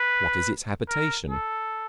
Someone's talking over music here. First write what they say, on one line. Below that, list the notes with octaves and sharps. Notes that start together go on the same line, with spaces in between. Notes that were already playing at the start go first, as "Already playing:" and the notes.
What is its habitation?
Already playing: B4
A#4
A4